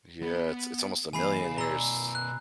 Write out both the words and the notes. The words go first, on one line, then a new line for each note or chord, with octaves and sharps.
Yeah, it's it's almost a million years.
B3
E3 A#3 G#5 B5 C7
G#4 F5
B2 D5 A#5 E6
F#6